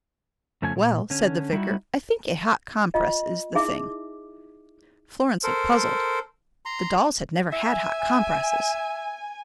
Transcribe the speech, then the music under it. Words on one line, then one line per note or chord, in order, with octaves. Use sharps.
"Well," said the vicar, "I think a hot compress is the thing." Florence looked puzzled; the dolls had never had hot compresses.
F2 C#3 F3 A3 C#4 G#5
A#2
D3 C#4
G3 D#4 E4 F#4
F4 D#5
D#4 E4 G#4 E5 D6
A4 A#4 C5
A#5 C6
E5 G#5